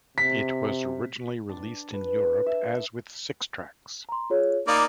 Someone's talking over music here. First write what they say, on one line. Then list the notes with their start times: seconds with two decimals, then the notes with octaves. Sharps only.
It was originally released in Europe as with six-tracks.
0.18 C3 B6
1.50 D4
1.93 B4
2.46 E5
4.09 A#5 C6
4.30 F4 G#4 C#5
4.68 A#3 D#4 D5 F5 B5